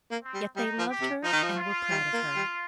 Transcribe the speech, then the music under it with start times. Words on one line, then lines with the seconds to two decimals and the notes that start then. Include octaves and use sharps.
Yet they loved her and were proud of her.
0.11 A#3
0.22 C4
0.34 G3
0.56 G3 D#4
0.78 F3
0.90 G4
1.01 C3
1.23 F3 D#4
1.33 D#3
1.43 F3
1.57 F4
1.90 G3
2.13 A#3
2.36 G3